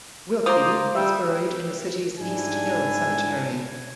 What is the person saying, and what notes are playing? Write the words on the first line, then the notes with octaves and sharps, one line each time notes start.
Willkie is buried in the city's East Hill Cemetery.
F4 C5 A#5 D6 D#6
G3 E5 E6
G#2 G3 D4 E4 G#5